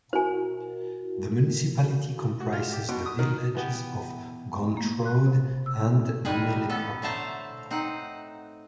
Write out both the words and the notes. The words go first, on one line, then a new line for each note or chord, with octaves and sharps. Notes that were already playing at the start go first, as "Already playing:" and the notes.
The municipality comprises the villages of Gontrode and Melle proper.
E4 F#4 A#4 C5 G#5
F#4
F4
G4
B2
D#6
D#3
E3 B3 G4
A#3
F#6
C3
E6
D#3 G3 G#3 D#4 G#4 B4
B3 C#4 A4
A2 D3 A3 C5 A5 A#5
C4 D#4 F#5